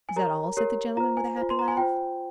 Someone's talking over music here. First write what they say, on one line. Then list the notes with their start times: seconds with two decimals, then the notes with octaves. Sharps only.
"Is that all?" said the gentleman with a happy laugh.
0.09 G#5
0.16 G4 A#4 C#5 A#5
0.57 G4 A#4 C#5
0.97 F4 C5 A#5
1.17 G#5
1.37 F4 C5
1.50 C6
1.59 A#5
1.68 G#5
1.77 F4 C5 G5